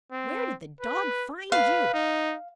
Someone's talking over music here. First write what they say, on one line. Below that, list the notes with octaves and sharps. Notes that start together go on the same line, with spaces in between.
"Where did the dog find you?"
C4
B4
B4 F5
D#4